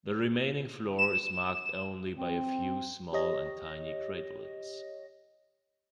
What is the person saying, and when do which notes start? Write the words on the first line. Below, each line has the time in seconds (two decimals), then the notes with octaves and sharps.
The remaining floor is marked only by a few small and tiny craterlets.
0.99 E7
2.17 C4
3.13 G4 C#5 D#5 A#6